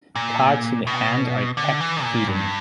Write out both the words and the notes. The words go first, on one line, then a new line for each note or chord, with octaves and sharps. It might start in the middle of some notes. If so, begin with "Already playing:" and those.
Cards in the hand are kept hidden.
A#2
B2
D3
E3
A#2
G2